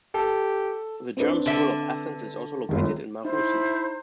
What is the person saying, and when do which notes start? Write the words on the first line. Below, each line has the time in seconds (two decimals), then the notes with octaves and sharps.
The German School of Athens is also located in Marousi.
0.14 G4 A4
1.17 C4 D4 B4
1.46 D3 A4 E5
2.69 G1 C#2 D#3
3.25 D#4 E4 C5